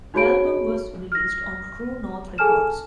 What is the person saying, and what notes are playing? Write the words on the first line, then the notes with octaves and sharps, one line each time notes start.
The album was released on True North Records.
D#4 F#4 G#4 C#5 B5 D7
F6 A#6
G#4 A4 G#5 A5 F6 E7